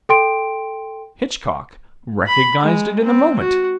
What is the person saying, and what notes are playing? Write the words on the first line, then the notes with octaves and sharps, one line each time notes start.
Hitchcock recognized it in a moment.
A4 G5 C6 D7
B5
G#3
C4
F#4